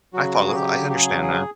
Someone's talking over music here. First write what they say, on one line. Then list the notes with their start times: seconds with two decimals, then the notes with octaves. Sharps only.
I follow. I understand that.
0.13 C#3 F#3 F#4
0.47 G#4
0.54 G4
0.89 G4
0.95 G#4
1.22 G#4